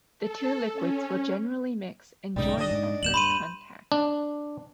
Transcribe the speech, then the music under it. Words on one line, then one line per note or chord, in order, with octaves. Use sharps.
The two liquids will generally mix and join at first contact.
A4
C#4
B1 G#2 C#3 G3 D#4
D3 D4 D#5
G#2
D1 G2 A#3 G6 E7 F#7
G2 B5 C6 D#7
D4